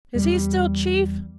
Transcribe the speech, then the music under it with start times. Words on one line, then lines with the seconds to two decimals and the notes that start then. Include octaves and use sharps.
"Is he still chief?"
0.14 E2 G3